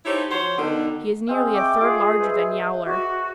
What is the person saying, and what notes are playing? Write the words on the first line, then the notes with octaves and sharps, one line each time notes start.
He is nearly a third larger than Yowler.
D#4 E4 G4 A4 C5 C#5
F3 F#4 C5 C#5
B2 D3 D#3
G#3 C4 F5
E5 G5 C#6 D6
F4 G#4
B4 C5 E5
F#4 D6